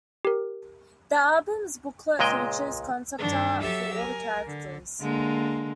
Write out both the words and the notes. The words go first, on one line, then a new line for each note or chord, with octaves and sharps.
The album's booklet features concept art for all the characters.
G4 A#4
C#2 A#2 G#3 D#5 G5
G2 D#3 D4
F#3 G4 A4 E5 E6
A#4 G#5
D3
D3 G#3 A#3